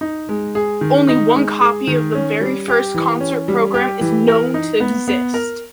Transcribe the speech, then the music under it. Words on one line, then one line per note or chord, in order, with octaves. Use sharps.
Only one copy of the very first concert program is known to exist.
D#4
G#3
G#4
D#3
D#4
G#3
G#4
D#3
C#4
G3
G4
E3
C#4
G3
G4
E3
A#4
D#4
B3
B3
A#4